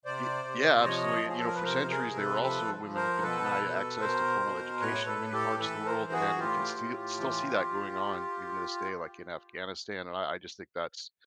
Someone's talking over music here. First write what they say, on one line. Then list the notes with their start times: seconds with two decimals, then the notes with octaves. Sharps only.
Y Yeah, absolutely, and you know, for centuries, they were also women have been denied access to formal education in many parts of the world, and we can stee still see that going on, even to this day, like, in Afghanistan, and I I just think that's
0.05 C3 C5 D5
0.45 C3
0.84 F3 C#5 D#5
1.24 F3 G#4
1.38 A4
1.46 A#4
1.55 B4
1.64 C3 A#4 C5
1.90 G#4 A#4
2.04 C3
2.16 A4 B4
2.42 F3 A4 B4
2.82 F3
2.95 A#4 C5
3.22 B2 A4 B4
3.62 B2
4.01 B2 A#4 C5
4.41 B2
4.80 A2 B4 C#5
5.06 A4 B4
5.20 A2
5.33 G4 A4
5.59 E3 A4 B4
5.86 A#4 C5
5.99 E3
6.12 F#4 G#4
6.38 A2 F4 G4
6.78 A2
7.18 E3